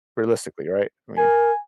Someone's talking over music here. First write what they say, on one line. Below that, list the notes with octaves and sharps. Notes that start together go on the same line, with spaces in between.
realistically, right? I mean
A#4 G#5